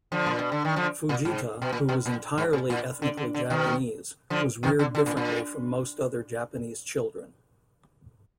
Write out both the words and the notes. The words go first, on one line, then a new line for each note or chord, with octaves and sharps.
Fujita, who was entirely ethnically Japanese, was reared differently from most other Japanese children.
D3 F3
A#2
B2
D3
D#3
D3 F3
A#2
G#2
B2
A#2
B2
A#2
G#2
A#2
A#2
D3
D3
D3
B2 D#3
D3 F3
B2 D#3
D3
D3
A#2
A#2